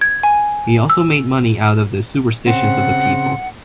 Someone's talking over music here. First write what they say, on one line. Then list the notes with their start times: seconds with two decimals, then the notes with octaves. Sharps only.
He also made money out of the superstitions of the people.
0.01 G#6
0.23 G#5
0.90 E6
2.46 C#3 C4 F#5